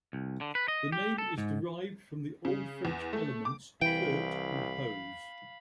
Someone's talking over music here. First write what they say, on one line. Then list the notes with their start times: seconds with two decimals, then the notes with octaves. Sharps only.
The name is derived from the Old French elements "curt" and "hose".
0.13 C2
0.41 D3
0.55 B4
0.68 D#5
0.92 G4
1.18 A4
1.38 G#2
2.45 C#3
2.85 E2
3.13 A3
3.45 D6
3.82 C2 E3 F5 G5 B5